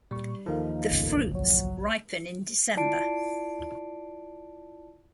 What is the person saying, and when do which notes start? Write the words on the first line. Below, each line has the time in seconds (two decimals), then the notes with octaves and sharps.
The fruits ripen in December.
0.11 A#2 G3 C#6
0.46 D#2 F3 A#3 D#4 A4 A#4 F5
0.91 G1 C#2
1.32 B1 F#3 C#5
2.77 E4 F4 D5 A5 C7 D7